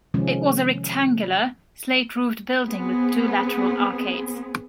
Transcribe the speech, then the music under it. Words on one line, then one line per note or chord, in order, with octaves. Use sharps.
It was a rectangular, slate-roofed building with two lateral arcades.
C3 D#3 F3 G#3 C#4
B3 C4 G#4